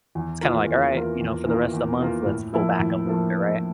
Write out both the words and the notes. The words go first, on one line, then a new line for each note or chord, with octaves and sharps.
it's, kinda like, "Alright," you know, "for the rest of the month, let's pull back a little bit," right?
E2
E3 A#3 F4 A#4
E2
E3 A#3 F4 A#4
E2
E3 A#3 F4 A#4
E2
E3 A#3 F4 A#4
A2
F3 A#3 E4 A4
A2
F3 A#3 E4 A4